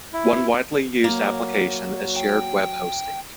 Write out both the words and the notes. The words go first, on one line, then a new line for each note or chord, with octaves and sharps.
One widely used application is shared web hosting.
E4
F#3 A#3
G5